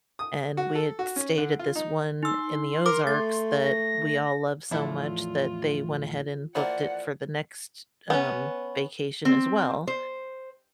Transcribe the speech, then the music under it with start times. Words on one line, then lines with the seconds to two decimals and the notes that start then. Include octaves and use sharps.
and we had stayed at this one in the Ozarks that we all love so much that they went ahead and booked it for the next, um, vacation as well,
0.19 D#6
0.57 F#4
0.75 A4
0.99 F#4
1.16 C#4
1.38 D3
1.59 F4
1.76 D#4
2.23 D#4 C6 E6
2.86 A#4 D6
3.07 A3 A6
3.64 A#6
4.71 E2 A2 F3 D4 E4 F4 A4
6.55 E3 F3 A#3 D5 F#5
8.10 B3 C#4
9.25 C4
9.87 C5